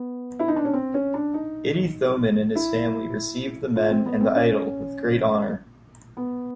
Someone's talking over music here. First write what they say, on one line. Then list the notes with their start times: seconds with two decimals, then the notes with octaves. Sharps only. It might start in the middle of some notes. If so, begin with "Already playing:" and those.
Itty Thommen and his family received the men and the idol with great honour.
Already playing: B3
0.39 E4
0.48 D#4
0.56 D4
0.65 C#4
0.73 C4
0.94 C#4
1.14 D4
1.34 D#4
2.55 E4
3.76 F4
3.90 C4
4.06 B3
4.21 C4
4.35 C#4
6.17 B3